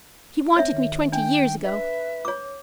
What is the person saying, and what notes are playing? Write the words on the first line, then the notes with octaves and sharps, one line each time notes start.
He wanted me twenty years ago.
C4 C#5 E5
D#3
D4 G5
B4 E5
C#5 D6